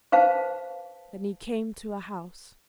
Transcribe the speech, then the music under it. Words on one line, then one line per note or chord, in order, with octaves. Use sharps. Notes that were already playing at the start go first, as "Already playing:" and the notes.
Then he came to a house.
B4 C5 F5 A5